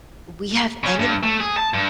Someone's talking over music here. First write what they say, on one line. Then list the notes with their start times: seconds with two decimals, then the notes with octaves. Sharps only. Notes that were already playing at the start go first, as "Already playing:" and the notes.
we have enem
0.84 C#3 C#4
0.99 G2
1.23 A3
1.40 G#4
1.57 A5
1.74 G2